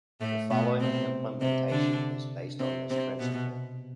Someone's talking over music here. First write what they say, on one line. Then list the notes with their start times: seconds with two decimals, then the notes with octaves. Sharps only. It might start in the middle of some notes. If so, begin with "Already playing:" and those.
The following implementation is based on this principle.
0.20 A2 A3
0.50 B2 B3
0.80 C3 C4
1.41 C3 C4
1.70 D3 D4
2.59 C3 C4
2.90 C3 C4
3.19 B2 B3